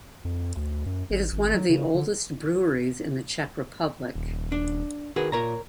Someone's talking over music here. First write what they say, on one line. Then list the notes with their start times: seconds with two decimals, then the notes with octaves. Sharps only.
It is one of the oldest breweries in the Czech Republic.
0.25 F2
0.57 D2
0.86 F#2
1.10 G#1
1.32 G#1
1.54 F#3
1.69 C#3
1.95 D3
4.15 D#1
4.52 D4
5.16 D#3 F#4 G#4 B4
5.32 A#2 A#4 C#5 A#5